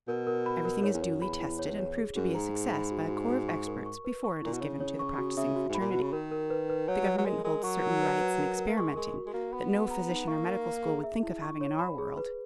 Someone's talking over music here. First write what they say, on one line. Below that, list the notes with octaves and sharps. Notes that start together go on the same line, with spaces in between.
Everything is duly tested and proved to be a success by a corps of experts before it is given to the practicing fraternity. The government holds certain rights in experimenting that no physician or medical school would think of having in our world.
B2 A#4
A#4
B5
A#4
G#2 C#5
E2
F#2 C#5
E2 B5
E4
C#5
C#5
G#4
F#2 G#4
G#2 A#5
G#4
B5
F#4
F#4
F#4
C#6
A#4
C#6
B4
C#6
A#2 E4
B2
C#3 C#5
C#5
C#6
F#4
C#3 E5
F#4
G#2
B5
A#2
B2 F#4
C#3
D#3 A#4
A#4
B4
B4
F#3 C#5
C#5
F#3
G#3 A#4
G#3 A#4
F#3 C#6
A#4
B4
B4
A#4
A#4
A#3
G#3 C#6
G#3 A#4
F#4
G#3
A#3 F#4
B3 B5
G#4
A#5
D#4
A#3 C#6
A#4
A#5
G#4
E5
E4
C#6
C#5
B5
G#4
B4